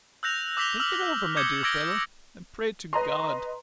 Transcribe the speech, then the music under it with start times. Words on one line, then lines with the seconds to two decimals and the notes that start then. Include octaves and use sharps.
Think it over, my dear fellow, and pray to God.
0.23 E6 F#6 G6 A#6 F7
0.57 D6 E6 F#6 B6 F7 G7
0.80 E6 F6 F#7
1.37 D6 D#6 G6 G#6 C#7 G7
1.63 D6 E6 G#6 A#6 D7 G7
2.93 B4 D#5 A#5 C6